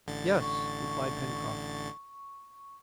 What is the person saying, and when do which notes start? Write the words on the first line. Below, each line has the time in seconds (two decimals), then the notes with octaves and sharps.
"Yes," replied Pencroft.
0.06 A1 D3 A6
0.40 C#6